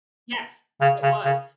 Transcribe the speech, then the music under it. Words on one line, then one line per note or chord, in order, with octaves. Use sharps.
Yes, it was.
C#3
C#3
C#3